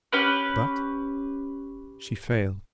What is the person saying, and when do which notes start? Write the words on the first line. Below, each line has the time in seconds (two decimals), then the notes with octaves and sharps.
But she failed.
0.12 C#4 G4 B4